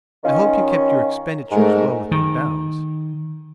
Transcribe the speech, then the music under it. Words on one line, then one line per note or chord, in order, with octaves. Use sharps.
"I hope you kept your expenditures well within bounds?"
D#3 C#4 F4
G#2 G#3 A3 A#4
D#3